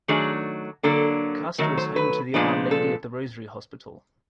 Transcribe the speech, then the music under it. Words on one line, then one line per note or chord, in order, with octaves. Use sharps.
Castor is home to the Our Lady of the Rosary Hospital.
D#3 F#3 A3 D4 G#4
D3 F#3 A#3 D4 A4
D#3 F#3 A3 A#4
C5
B4
A#2 F3 G#3 B3 D4
A4